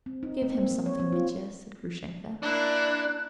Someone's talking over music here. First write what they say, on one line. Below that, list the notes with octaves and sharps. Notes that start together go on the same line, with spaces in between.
"Give him something, Mitya," said Grushenka.
C4
D#4
C4
A#3
F#3
C#5
C4
F4
A#3 D4 E4 F#6